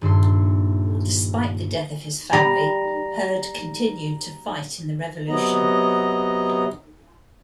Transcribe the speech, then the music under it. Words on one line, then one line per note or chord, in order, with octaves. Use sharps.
Despite the death of his family Heard continued to fight in the revolution.
D#1 G2 E5 C6
G3 A#5
C3 F#3 B3 D#5 A#5